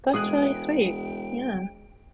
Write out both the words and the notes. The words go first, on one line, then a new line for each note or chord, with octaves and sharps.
That's really sweet, yeah.
E1 G#3 G#4 G5 D#6 F#6